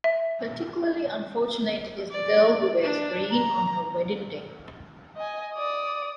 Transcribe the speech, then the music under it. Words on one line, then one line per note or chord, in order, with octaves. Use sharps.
Particularly unfortunate is the girl who wears green on her wedding day.
E5
D5
D4
A#5
D#5 G#5
D5 D#6